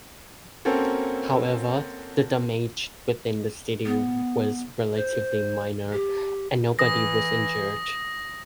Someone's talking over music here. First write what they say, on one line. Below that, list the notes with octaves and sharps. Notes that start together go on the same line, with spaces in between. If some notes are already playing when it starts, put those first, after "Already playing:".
However, the damage within the city was relatively minor, and nobody was injured.
A#3 C4 C#4 F#4 A4
B3
C5
G4
E3 D#6 A#6